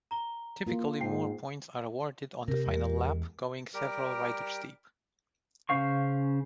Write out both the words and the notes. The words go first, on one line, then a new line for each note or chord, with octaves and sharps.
Typically more points are awarded on the final lap, going several riders deep.
A#5 G7
A#3 F4
G#2 G5 A5 C7
C3 G4 A#4
E2 G#3
G3 G4 A#4
C#3 C#4 C5 F5 C#6